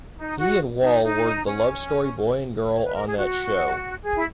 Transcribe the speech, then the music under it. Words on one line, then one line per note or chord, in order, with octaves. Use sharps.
He and Wall were the "Love Story Boy and Girl" on that show.
D#4
F#4
D#4
D#4
C#4
C#5
B4
A#4
G#4
F#4
G#4
E4